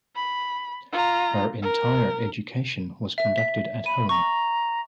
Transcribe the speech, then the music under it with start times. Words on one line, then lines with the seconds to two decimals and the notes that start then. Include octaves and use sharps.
Her entire education was conducted at home.
0.16 B5
0.92 F4 A#5
1.62 A#4
3.18 E5
3.38 B6
3.86 B5 D#7
4.09 A#5 C#6